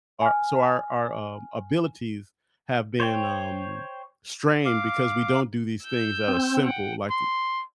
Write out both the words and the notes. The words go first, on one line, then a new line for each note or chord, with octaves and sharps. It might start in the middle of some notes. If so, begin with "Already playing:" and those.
our so, our our, um, abilities have been, um, strained because we don't do these things that are simple, like
G#5 F6
C5 C#5 G5
F5 D6
E6 G6
C4
F#5 G5
C6